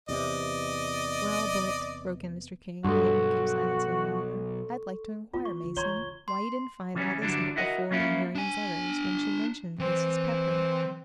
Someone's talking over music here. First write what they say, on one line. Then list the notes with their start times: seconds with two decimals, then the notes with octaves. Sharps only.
"Well, but," broke in Mr. King, unable to keep silence any longer, "I'd like to inquire, Mason, why you didn't find all this out before, in Marian's letters, when she mentioned Mrs. Pepper?"
0.09 E2 C3 E3 D5 D#5
2.84 B1 G2 F#4 A4 C6 C#6
5.34 A#3 C4 F4
5.45 C#6
5.63 D3
5.77 E3 C#5 A#5 C6 C#6 G#6 G7
5.97 C#2 F#2
6.28 C6
6.95 C#3 E3 G3 B3 C#4
7.22 G2 D3 E3 F#3 G3 D4
7.56 E4 F#4 A#4 D#5 F#5
7.91 F#3 A#3 C#4 E4 F4
8.35 D4 G#5
9.79 E3 C4